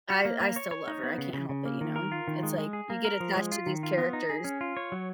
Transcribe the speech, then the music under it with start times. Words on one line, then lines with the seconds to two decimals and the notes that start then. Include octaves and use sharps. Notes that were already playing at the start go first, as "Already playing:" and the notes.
I I still love her, I can't help it, you know, it's like you get attached to these characters.
0.10 F#4
0.25 A#3
0.41 A#3
0.56 C#5
0.71 C#5
0.88 D#4
1.03 B3
1.18 C#3
1.33 C#3
1.49 C#3
1.66 A#3
1.81 D#3
1.96 A#4
2.12 F4
2.28 D#3
2.43 G#3
2.58 G#3
2.73 G#4
2.90 A#3
3.05 A#4
3.20 F3
3.36 G#3
3.52 F4
3.67 D#3
3.83 F4
3.98 B3
4.13 D#4
4.29 G#4
4.44 C#4
4.61 F4
4.77 C#5
4.92 F#3